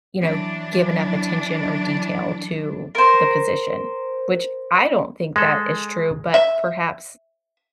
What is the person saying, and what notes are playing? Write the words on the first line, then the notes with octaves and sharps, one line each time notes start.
you know, give enough attention or detail to the position, which I don't think that is true, but perhaps
E3 F#3 D4
A#4 C5
G#3 G#4 A4
E5